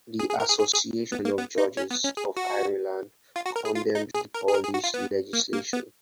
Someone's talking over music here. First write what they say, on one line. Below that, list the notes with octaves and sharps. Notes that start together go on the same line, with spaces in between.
The Association of Judges of Ireland condemned the Polish legislation.
G#4
G#4
A#4
G#4
G#4
G#4
B3
A#3
B3
D#4
C#4
B3
C#4
G#4
F#4
F4
F#4
A#4
G#4
F4
D#4
G#4
A#4
G#4
A#4
G#4
F#4
F4
B3
A#3
A#3
B3